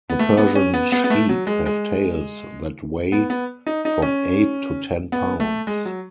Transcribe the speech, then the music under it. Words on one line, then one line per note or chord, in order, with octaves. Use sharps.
The Persian sheep have tails that weigh from eight to ten pounds.
B3
A3
B3
C#4
B3
B3
B3
A3
F#3
G#3
G#3
B3
B3
D#4
D#4
C#4
B3
A3
G#3
F#3